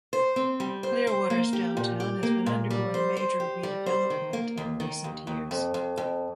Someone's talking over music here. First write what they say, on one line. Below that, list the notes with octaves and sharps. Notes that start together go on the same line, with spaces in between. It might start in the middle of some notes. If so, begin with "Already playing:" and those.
Clearwater's downtown has been undergoing major redevelopment in recent years.
C5
C4
G3
C5
C5
A#3
G4
A#2
G4
A#3
A#2
G3
C5
C5
G4
G3
C5
D#3
A#3
D#2
D#3
D#2
D#2
F2
F2
F2